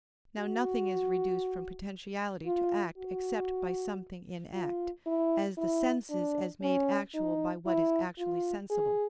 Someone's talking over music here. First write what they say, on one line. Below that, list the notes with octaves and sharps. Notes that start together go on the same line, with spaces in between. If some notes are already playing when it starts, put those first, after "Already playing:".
Now nothing is reduced from potentiality to act except by something in act; as the senses as made actual by what is actually sensible.
F#4
F4
F#4
F4
E4
E4
D4
C#4
D#4
E4
F4
G#4